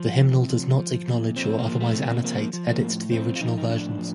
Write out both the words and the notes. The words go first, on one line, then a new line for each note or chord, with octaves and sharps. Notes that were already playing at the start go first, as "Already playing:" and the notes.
The hymnal does not acknowledge or otherwise annotate edits to the original versions.
Already playing: F3
C3
F3
F3
A#2
F3 C4
A#3
F3
A3
C3
A#3
F3 A#3
F3
A#3
A2
F3 C4
F4
F3 D#4
D#4
A2 D4
F3